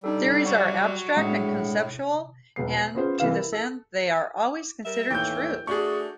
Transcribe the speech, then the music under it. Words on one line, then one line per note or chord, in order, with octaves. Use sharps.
Theories are abstract and conceptual, and to this end they are always considered true.
G3 D4 D#4 A4
F#3 C#5 F#5
A2 G#3 D4 G#4 E5 F#5
E1 B1 B3 C7
C7
B3 C#4 F4 G#4 C5
C2 E3 B4 F5 E7
E4 A#4
A4
G3 A#4 E5
D#2 A2 E3 G5 G6
A3 D4 F#4 G#4 C#6